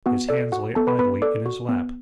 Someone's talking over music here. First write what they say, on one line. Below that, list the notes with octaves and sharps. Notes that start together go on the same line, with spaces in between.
His hands lay idly in his lap.
B3 F#4 F#5
A4 D5
F#4 F#5
B3 A4 A5
B4 B5
B3 B4 B5
A4 D5 D6
F#4
B3